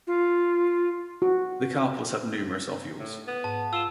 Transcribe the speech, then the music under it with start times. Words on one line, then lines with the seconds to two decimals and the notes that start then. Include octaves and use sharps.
The carpels have numerous ovules.
0.07 F4
1.22 F#4
3.00 A2
3.27 B3
3.44 G#2 A5
3.73 F4 E6 E7